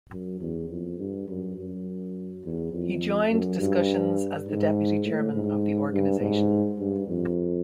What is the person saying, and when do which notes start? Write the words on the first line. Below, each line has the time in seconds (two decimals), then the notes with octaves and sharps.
He joined discussions as the Deputy Chairman of the organization.
0.11 F#2
0.41 E2
0.70 F2
0.99 G2
1.28 F#2
1.57 F#2
2.44 E2
2.72 F2
3.30 F#2
3.60 G2
4.47 G#2
5.05 A2
5.33 G#2
5.91 G2
6.20 G#2
6.78 G2
7.08 F2